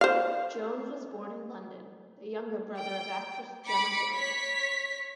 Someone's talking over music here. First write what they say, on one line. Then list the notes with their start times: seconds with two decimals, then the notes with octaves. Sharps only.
Jones was born in London, the younger brother of actress Gemma Jones.
0.01 C5 F5
2.78 G5
3.64 B5 D6 C#7
4.11 C#5 B6